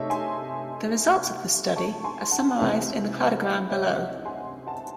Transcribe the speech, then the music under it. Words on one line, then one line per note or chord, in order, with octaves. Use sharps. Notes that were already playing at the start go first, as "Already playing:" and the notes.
The results of this study are summarized in the cladogram below.
Already playing: C3 A3 D#4 A4 C#5 D#5 E5
G#5 C6
A5 C#6
G#5 C6
F#5 A5
C#2 C3 E3 A3 C4 E5 G#5
D#5 F#5
C#5 E5
D#5 F#5
G#5 C6
F#5 A5